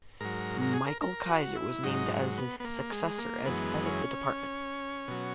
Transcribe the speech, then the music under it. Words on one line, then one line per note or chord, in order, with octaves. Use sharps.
Michael Keiser was named as his successor as head of the department.
G#2 F#3 A#4
A#4
G#4
A#4
A#4
F#4
E4
G#2 F#3 D#4
B3
B3
A#3
G#3
A#3
F#2 E3 G#3 B3
C#4
B2 F#3